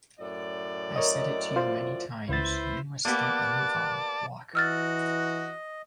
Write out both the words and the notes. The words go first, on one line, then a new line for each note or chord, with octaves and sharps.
I said it to you many times: you must get a move on, walk.
F#2 A2 D5
A#4 C#5 D#5
F4 C5
C#2 E4 B4 C5 A6
A#3 B3 G4 D5 A5 F#6
E3 F#4 D#5 E6 F6 A6